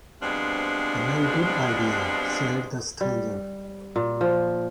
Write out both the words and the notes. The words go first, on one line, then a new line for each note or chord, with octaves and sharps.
"A very good idea," said the stranger.
G2 B2 F3 G#3 C4 D4
G3
A#2
F3